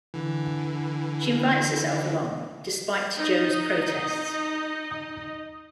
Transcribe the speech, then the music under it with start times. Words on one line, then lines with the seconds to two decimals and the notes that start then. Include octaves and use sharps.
She invites herself along, despite Joe's protests.
0.14 D3 E3
3.17 D#4 D#5